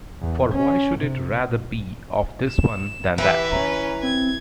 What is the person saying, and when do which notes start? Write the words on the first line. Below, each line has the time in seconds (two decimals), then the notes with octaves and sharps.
For why should it rather be of this one than that?
0.22 E2
0.52 C#4
1.00 C3
2.48 E7
3.18 E3 G4 B4 E5
3.51 C#4 A#5
4.03 C4 G#6